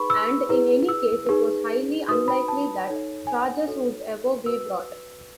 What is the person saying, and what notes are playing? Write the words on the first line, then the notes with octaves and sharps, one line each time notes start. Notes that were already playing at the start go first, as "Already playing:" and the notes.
And, in any case, it was highly unlikely that charges would ever be brought.
Already playing: D#4 G#4 B4 B5 C#6
E6
E4 G#4 B4
E6
D#4 G#4 B4
D#4 F#4 B4 D#6
B5
A5
D#4 A4 C#5
G#5
F#5
D#4 F#4 A4 C#5
F#4 B4 E6